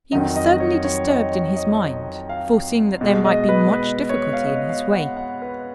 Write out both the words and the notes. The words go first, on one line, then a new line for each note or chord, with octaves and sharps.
He was certainly disturbed in his mind, foreseeing that there might be much difficulty in his way.
F2 D#3 F#3 D#5
D#5
C#5
C#5
D#5
C#5
D#5
F5
B2 G#3
D#5
B4
B4
C#5
F5
D#5
F5
F#5
F#5
B4